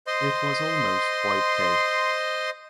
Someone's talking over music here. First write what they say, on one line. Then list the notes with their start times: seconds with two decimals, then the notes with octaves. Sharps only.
It was almost wiped out.
0.07 C5 D#5 C6